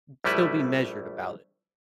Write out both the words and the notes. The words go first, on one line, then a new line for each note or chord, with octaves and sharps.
still be measured about it.
A#1 G3 A3 E4 B4